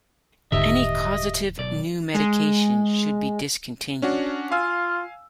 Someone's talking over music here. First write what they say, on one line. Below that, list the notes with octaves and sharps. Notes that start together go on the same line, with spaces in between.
Any causative new medication should be discontinued.
D#1 G#2 D3 G4 D#5 E5
B1 D5
G#3
C#4 D4 F#4
F4 F5 G#5 E6